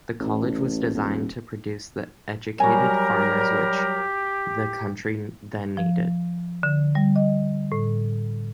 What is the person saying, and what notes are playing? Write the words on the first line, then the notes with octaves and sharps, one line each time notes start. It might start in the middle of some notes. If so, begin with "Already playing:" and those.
The college was designed to produce the educated farmers which the country then needed.
A1
D#1
F#3 G3 F#4 G4 A#4 G#5
F3
D3
G3
D#5
A2